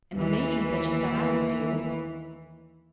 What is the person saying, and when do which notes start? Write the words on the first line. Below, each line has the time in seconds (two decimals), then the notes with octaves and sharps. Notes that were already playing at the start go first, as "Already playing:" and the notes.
And the matron said she thought I would do.
0.15 D#2 E3